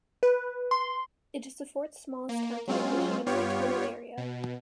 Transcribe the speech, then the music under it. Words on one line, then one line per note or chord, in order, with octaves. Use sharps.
It is the fourth-smallest county in Michigan by total area.
B4
C6
A#3
F#3 G#3 C4 C#4 F4
G2 B3 F4 G4 C#5
B2